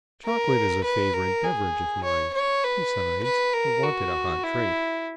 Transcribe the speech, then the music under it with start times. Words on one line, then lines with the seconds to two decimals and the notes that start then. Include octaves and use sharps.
Chocolate is a favorite beverage of mine; besides, I wanted a hot drink.
0.24 A#4
0.84 B4
1.13 A#4
1.44 G#4
2.04 C#5
2.33 C#5
2.63 B4
3.23 B4
3.53 A#4
3.83 F#4
4.43 E4